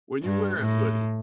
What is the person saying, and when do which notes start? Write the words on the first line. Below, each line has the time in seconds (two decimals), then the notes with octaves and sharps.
when you wear a hoodie
0.24 G2
0.60 A2